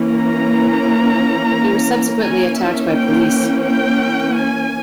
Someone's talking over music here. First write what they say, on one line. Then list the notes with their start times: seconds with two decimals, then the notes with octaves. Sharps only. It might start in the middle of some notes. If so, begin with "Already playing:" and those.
They were subsequently attacked by police.
Already playing: E3 A#3 C#4
0.12 A#5
2.23 E3 A#3 C#4 G#5
2.59 E5
2.94 G5
3.65 G5
4.36 G#5